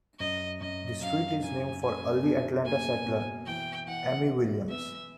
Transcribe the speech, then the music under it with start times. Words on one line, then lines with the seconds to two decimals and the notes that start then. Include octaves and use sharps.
The street is named for early Atlanta settler Ammi Williams.
0.19 F#2 D#5
0.60 F#2 D#5
1.01 F#2 F5
1.42 F#2 G#5
1.83 C#4 G#5
2.23 B2
2.64 A#3 G#5
3.06 B2
3.46 E3 G5
3.87 E3 F#5
4.28 B3
4.69 B3 E5